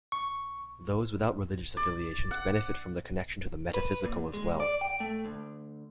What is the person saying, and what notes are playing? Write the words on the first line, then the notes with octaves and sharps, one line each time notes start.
Those without religious affiliations benefit from the connection to the metaphysical as well.
C#6
D5
F#5
B4
A#2
G#3
D5
G5
A3
D2